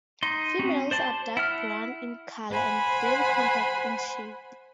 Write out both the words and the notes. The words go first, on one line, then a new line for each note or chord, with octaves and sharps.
Females are dark brown in color and very compact in shape.
D#4 C6
C4 C#4 F#4
C5 D5 A5 C6
E4 F#5 F6
C5 F#5 G#5 B5